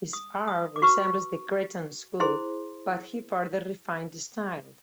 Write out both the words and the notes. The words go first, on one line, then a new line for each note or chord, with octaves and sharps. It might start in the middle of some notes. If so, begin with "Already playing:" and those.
His art resembles the Cretan School but he further refined the style.
D#6
D#6
D6
F#4 B4 C#6
E4 G#4 C5 C6